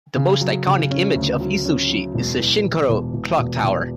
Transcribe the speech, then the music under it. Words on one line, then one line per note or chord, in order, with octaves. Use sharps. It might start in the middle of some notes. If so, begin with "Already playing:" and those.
The most iconic image of Izushi is the "Shinkoro" clock tower.
C#3
F#3
C#3
C#4
D2
F#3
C#4
F#3
E1
E2
E1
E1
E1
E1
E1